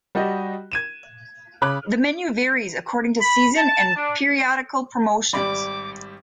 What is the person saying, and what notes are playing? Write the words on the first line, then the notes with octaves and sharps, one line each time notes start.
The menu varies according to season and periodical promotions.
G3 F#4 G4 D#5
G#6 D#7 E7
C#3 C#5 B5 D6 F#6
B5
A5
D4
G#1 G3 G4 D5 B5 D6